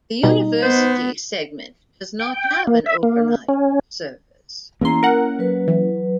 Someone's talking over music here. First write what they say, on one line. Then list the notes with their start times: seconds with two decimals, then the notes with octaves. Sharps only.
The University segment does not have an overnight service.
0.23 B2 G3 D#4
0.62 B3 C5
2.20 G5
2.67 A#3
2.86 E5
3.03 A#3
3.48 C#4
4.81 E2 A#3 B3 C#4 E4 A#5 C6
5.03 A#4 F#5
5.39 F#3 B4
5.68 E3